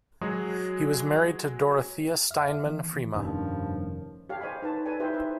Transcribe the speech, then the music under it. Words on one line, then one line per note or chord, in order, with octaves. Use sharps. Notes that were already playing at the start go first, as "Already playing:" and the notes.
He was married to Dorothea Steinmann Freema.
F#3 G#3 F#4 G#4
F2 E5 F6
D#3 E3 B3
F1 G2 D#3 F3 A3 C#4
G4 A4 C#5 F5
C5 C#5 D#5 G#5 B5
D#4 B4 A5
A4 B4 D5 G#5
D#4 E4 G4 B4 C5 E5
C5 E5